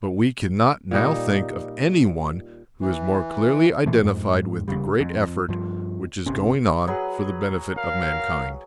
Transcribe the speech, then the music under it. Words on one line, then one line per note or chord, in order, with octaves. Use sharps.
But we cannot now think of any one who is more clearly identified with the great effort which is going on for the benefit of mankind.
A#2 G3 D#4
E3
B2 E3 A3
F2 G#2
F1 B1 C#3 G3
F2
G2 F3
G1 C3 C#4
F#3 G#4 B4
A#4 F5